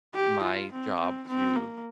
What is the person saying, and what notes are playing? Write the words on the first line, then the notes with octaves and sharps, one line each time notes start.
my job to
G4
F4
C4
C4
C4
A#3